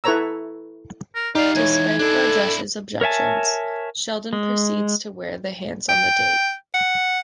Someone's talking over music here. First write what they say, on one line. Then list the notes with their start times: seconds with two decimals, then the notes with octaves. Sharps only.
Despite Rajesh's objections, Sheldon proceeds to wear the hands on the date.
0.04 E4 A4 B4 C#5 A#5 E6
1.15 A#4
1.35 D#4 F4 G4 D5 F5
1.56 E3 G#3 C#5 G#5
1.99 D4 E4 A4
3.01 A#4 C#5 E5 G#5 A5
4.33 G#3
5.89 G5
6.74 F#5